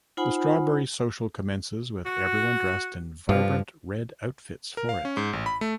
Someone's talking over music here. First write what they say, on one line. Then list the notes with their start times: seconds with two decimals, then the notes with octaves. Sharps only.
The Strawberry Social commences with everyone dressed in vibrant red outfits for it.
0.17 D#4 F4 C5 F#5 G#5 B5
2.05 F#4
3.29 G2 D3 F3 F4
4.77 A#4
4.89 F5
5.05 C#4
5.17 G#2
5.33 A1
5.46 B5
5.61 A3